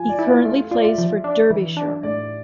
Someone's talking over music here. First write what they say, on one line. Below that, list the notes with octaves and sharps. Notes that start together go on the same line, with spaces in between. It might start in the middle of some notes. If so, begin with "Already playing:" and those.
He currently plays for Derbyshire.
Already playing: F3 G#5
D5
E4
F4
A3 F4
F4 D5
E5
F3
D4
E3
D4
A2 D5